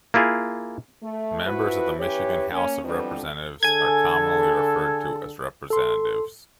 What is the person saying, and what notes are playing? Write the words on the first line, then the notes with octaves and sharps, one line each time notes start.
Members of the Michigan House of Representatives are commonly referred to as representatives.
A#3 E4 F4 G#4
A3
F3 E4 F#4 B4
E3 C#4 G4 B4 C#5
A#3 C#4
F2 D3 E3 G3 B3 C4
D3 G#4 A4 G#5 G#6
A4 C6